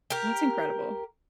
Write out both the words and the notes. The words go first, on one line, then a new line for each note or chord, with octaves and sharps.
That's incredible.
G4 A#4